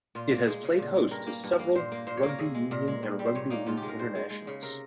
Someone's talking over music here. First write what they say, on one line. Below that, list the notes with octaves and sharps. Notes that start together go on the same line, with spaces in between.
It has played host to several rugby union and rugby league internationals.
A#2 F4
A#3
G#3 G#4
C#3
A#2
G#3
G2 A#4
A#3
G2
A#3
A#2 C5
A#3
A#2 C5
C#5
A#3
A#4
C3 G#4
G#3
A#2 A#4
G#3
G2
G3
C5
A#2 C#5
A#3 D#4
G#2 F4
G4
G#3
A#4
G2 C5
G#3
G#3
C#3
C3 A#4